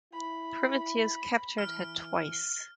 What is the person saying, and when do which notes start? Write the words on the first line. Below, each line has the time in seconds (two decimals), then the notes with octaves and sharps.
Privateers captured her twice.
0.13 E4 B5
1.58 E3 F6